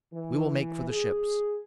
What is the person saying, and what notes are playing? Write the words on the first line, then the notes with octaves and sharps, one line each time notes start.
We will make for the ships.
E3
G#4